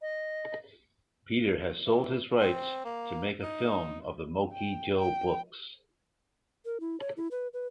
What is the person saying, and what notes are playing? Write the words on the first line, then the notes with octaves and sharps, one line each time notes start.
Peter has sold his rights to make a film of the Mokee Joe books.
D#5
E3
C4
A#3
D#4
G5
G5
A#4
E4
C#5
E4
B4
B4